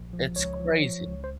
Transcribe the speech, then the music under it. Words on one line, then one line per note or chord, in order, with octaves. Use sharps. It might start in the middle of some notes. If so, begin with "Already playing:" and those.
it's crazy.
Already playing: A#1
F3
C#2 C#5
F3
F3
C#2
C5